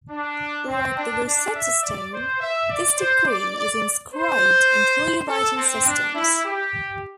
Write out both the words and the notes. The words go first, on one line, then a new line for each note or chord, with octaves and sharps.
Like the Rosetta Stone, this decree is inscribed in three writing systems.
D4
C4
D4
D4
E5
D5
C5
E5
D5
C5
D5
D5
C5
A4
C4
D4
E4
G4